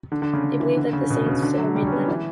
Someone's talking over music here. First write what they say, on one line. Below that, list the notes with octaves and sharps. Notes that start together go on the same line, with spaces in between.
They believe that the saints still remain in Heaven.
D3
D3
C#3
C#3
E3
D3
C#3
B2
C#3
D3
F#3
G3
C#4
B3
E3